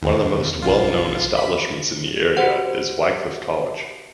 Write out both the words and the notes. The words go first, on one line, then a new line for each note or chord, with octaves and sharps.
One of the most well known establishments in the area is Wycliffe College.
D#2
B1 F4
B5
F#4 G4 C5 F#5